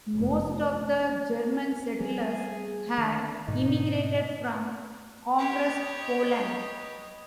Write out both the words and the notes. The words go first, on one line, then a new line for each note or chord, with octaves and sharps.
Most of the German settlers had immigrated from Congress Poland.
F1
F3 G3 B3 G#4
D3 D#3
G#2 B2 D3 D#4
G4 B4 C#5 D#5